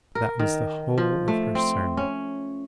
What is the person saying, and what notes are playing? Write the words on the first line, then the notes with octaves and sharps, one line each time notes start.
That was the whole of her sermon.
A#4
D#3
F3
A3
C4
C#4